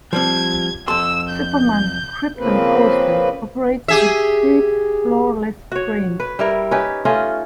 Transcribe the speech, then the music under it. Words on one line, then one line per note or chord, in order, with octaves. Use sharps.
"Superman: Krypton Coaster" operates with three floorless trains.
F3 G3 C4 G#6
F2 A4 C6 E6
G6
C#3 F3 A#3 C4 B4
G4 G#4 E5
F#4 C#5
B4
G3 E4 A#4
C#4 D#4 G4 B4
A3 C#4 F4 D#5